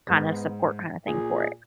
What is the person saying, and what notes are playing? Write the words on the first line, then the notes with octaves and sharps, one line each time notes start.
kinda support kinda thing for it.
G#2 B3
A#2 G#4